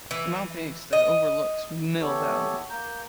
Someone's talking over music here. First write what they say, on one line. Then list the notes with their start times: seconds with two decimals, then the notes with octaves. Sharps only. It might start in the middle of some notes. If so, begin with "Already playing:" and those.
Tamalpais that overlooks Mill Valley.
0.11 E3
0.93 D#5
2.00 E3 B3 G4 A4 C#5
2.70 A#3 A#5 G6